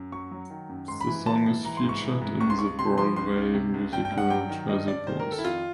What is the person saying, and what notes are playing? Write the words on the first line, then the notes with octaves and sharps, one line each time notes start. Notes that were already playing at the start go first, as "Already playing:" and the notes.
The song is featured in the Broadway musical "Jersey Boys".
Already playing: F#2
F#3 C#6
F#3
D#3
F#2
G#2 C6
B5
E3
E3 A5
G#2
E3 A#5
C6
G#2
C#6
E3
G#2
C#2 C#6
C6
C#2 C#6
C3 C6
F3 C6
C#2 C6
C#2
C3
C#2
G2 G5
G5
G2
F#5
F#3 G5
D#3
G2 D#5
G2 D5
D#3 C5
A#4
D#3
A4
E4
F2 F4